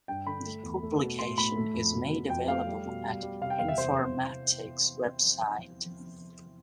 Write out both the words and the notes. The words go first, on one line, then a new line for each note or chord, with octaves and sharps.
The publication is made available at Informatics Website.
G2 G5
D3 B5
A3
E2
A3
B2
A2 C6
A2 B5
A3
F2
B2
B2
F2 G5
A3 F5
G3
B2
G3
G3
C3 F5
G5
E2 F5
E5
C3 C5